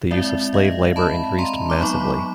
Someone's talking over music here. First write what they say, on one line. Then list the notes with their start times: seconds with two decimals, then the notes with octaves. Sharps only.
The use of slave labour increased massively.
0.11 G#3 C4 E4 D5 E5
0.54 D#5 F5
0.96 A5 B5
1.38 A#5 C6
1.70 D6
1.81 F#3 B3 D#4 B5 C#6